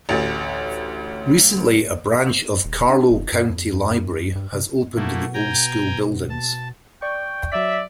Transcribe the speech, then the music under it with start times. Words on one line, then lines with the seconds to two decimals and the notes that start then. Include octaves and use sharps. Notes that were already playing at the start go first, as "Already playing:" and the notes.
Recently a branch of Carlow County Library has opened in the old school buildings.
0.09 A1 D2 A6
2.65 D#1
2.90 D4
3.11 F1
3.32 F#2
3.50 F2
3.73 F2
3.90 F#2
4.35 G2
4.53 C3
4.96 B2 A3 A#3 E4
5.34 G5 G#5 A#5
6.29 A5
7.02 D5 G5 C#6
7.52 F#3 D5 E5 B6